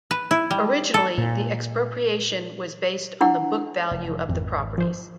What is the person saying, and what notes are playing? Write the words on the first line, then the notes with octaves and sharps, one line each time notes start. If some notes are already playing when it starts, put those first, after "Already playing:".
Originally, the expropriation was based on the book value of the properties.
B4
E4
G3
A4
A#2
D4 E4 F#5
F1
G#1 F2
F3 C5